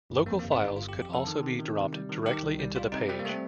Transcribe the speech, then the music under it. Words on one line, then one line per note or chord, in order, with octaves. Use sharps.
Local files could also be dropped directly into the page.
G1
F2 A#3
A#3
G1
C4
G1 D#4
G1 F4
G4
F2
G4
F2 A4
D#3
C3
D#3
C3
G3
D#3
D#3 G4
C2
G3
G3 F4
C3 D#4
G3 C4
A#3
A3 C4